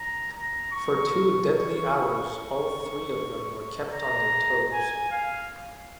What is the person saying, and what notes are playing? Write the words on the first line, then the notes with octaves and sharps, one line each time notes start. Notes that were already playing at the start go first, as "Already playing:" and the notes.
For two deadly hours, all three of them were kept on their toes.
Already playing: A#5
A#5
C#6
C#6
C#6
A#5
G#5
F5